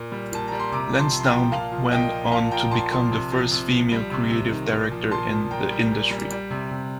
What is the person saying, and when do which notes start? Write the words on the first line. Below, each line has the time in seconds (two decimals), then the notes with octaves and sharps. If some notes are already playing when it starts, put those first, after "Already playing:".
Lansdowne went on to become the first female creative director in the industry.
Already playing: A#2
0.12 G3
0.32 A#2 A5
0.48 G3 A#5
0.59 C6
0.72 C3 A#5 D6
0.92 F3
0.99 A5 C6
1.12 C3
1.20 C6
1.25 G5 A#5
1.32 F3
1.52 A#2 F5 A5
1.72 F3
1.92 A#2 D#5 G5
2.12 F3
2.32 A#2 F5 A5
2.51 F3 G5 A#5
2.71 A#2 A5 C6
2.91 F3 A5 C6
3.12 C3
3.32 F3
3.51 C3
3.71 F3
3.92 G3
4.11 C3
4.31 C3
4.51 D#3
4.71 A#2
4.92 F3
5.11 A#2 A5 C6
5.31 F3
5.51 A#2 G5 A#5
5.71 G3
5.91 A#2
6.11 G3
6.31 G3
6.50 C3
6.71 C3